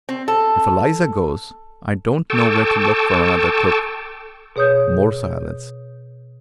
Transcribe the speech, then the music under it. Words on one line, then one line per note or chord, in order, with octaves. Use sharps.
"If Eliza goes, I don't know where to look for another cook." More silence.
C4
A4
A4 G5 A5 C#6 D6 E6
B2 G#4 C#5 D#6 G6